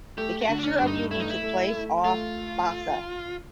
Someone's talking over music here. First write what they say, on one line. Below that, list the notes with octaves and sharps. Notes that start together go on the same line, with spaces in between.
The capture of "Union" took place off Bassa.
A3 G4
F#4
D3
D4
C#4
G2 D4
D#4
A3 E4
D#4
E4
A3
A3
A3 F4